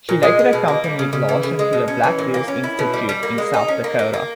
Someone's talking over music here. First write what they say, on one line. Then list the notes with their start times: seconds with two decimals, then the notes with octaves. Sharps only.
She later accompanied Larson to the Black Hills Institute in South Dakota.
0.09 A#2
0.23 G#3
0.39 G#4
0.53 B2
0.68 A#3
0.84 G3
0.99 C#3
1.13 C#3
1.29 E3
1.43 C#3
1.59 G#3
1.73 B2
1.88 C#4
2.04 E3
2.19 A#2
2.34 A#3
2.48 C#4
2.64 E4
2.79 B2
2.94 G3
3.09 G3
3.23 A#3
3.38 G#3
3.54 D#4
3.68 C#4
3.84 A#3
3.99 A#3
4.14 A#3